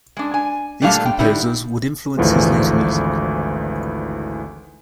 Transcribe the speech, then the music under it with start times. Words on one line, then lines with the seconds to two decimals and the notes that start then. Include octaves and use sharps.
These composers would influence his later music.
0.17 G#3 D4
0.34 G#5
0.82 A#2 G3 A3 D4 F5 A5
1.05 G5
1.19 D3 G3 D#4 E4
2.17 G#1 D2 E3 F3 G#3